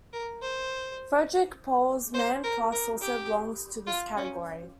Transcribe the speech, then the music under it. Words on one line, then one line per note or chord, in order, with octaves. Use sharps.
Frederik Pohl's "Man Plus" also belongs to this category.
A#4
C5
C5
A#4
A#4
G4
F4
C#4